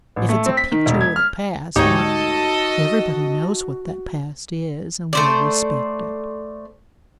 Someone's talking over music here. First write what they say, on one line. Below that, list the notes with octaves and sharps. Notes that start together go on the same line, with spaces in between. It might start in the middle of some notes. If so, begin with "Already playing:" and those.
If it's a picture with a past, why, everybody knows what that past is, and will respect it.
A1
A3
C4
B6
D#3
E1
G#6
F6
D2 G#2 D#4 F#4 G4 A4 C#5 D#5
A3 C5 D5